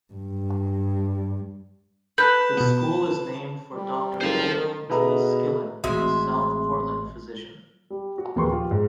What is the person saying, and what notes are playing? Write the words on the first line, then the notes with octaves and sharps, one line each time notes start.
The school is named for Doctor Waldo T. Skillin, a South Portland physician.
G2
B4 A5 F#6 G6
B2 B3
G3
F#1 A4 A#4 C5 F5
B2 D#4 G#4 A4 B4 D#5 E5 A#5
A1 E3 G#3 C4 F#4 E5 C6
G3
F#4
A#1 D#2 G#4 B4 C6 C#6
F3 F4 G4
G#2